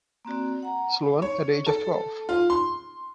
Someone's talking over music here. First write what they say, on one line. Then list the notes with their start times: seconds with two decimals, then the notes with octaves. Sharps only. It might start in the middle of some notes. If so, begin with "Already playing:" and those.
Sloan, at the age of twelve.
0.25 A#3 C4 F#4 D5
0.63 F#5 A#5
1.22 C#5
1.66 A4
2.29 F4
2.50 C6